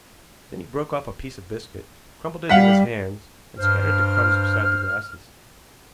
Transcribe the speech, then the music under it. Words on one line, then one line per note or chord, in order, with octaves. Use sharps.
Then he broke off a piece of biscuit, crumbled it in his hands, and scattered the crumbs beside the glasses.
G3 F5 F#5 B6
G2 C5 F6